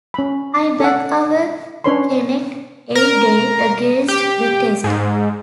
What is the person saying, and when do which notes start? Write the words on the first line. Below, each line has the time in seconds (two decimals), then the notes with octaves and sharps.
I back our Kennet any day against the Test.
0.14 C#4 B5
0.80 A4 F#5
1.84 C#4 D4 B4 C#5 B5 C6
2.95 A#4
4.08 G4
4.84 G#2